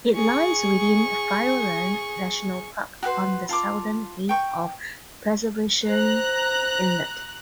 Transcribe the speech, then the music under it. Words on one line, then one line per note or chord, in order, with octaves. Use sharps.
It lies within Fiordland National Park on the southern head of Preservation Inlet.
G#4 C#6
F#4 G4 B4 C5
F4 A5 D6
G5 C#6
C5 A#5 F#6